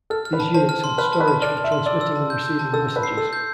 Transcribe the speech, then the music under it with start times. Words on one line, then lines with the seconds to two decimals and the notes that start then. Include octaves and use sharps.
These units had storage for transmitting and receiving messages.
0.10 A4 F6
0.25 F6
0.33 B4
0.40 A5
0.54 C5 A5
0.69 F6
0.84 C6
0.98 B4 F6
1.13 A5
1.20 B4
1.28 A5
1.42 D5 F6
1.57 F6
1.64 E5
1.72 C6
1.86 D5 E6
2.01 E6
2.16 A5
2.30 G6
2.45 G6
2.59 A5
2.73 A4 E6
2.89 E6
2.96 B4
3.03 C7
3.17 A4 E6
3.33 G6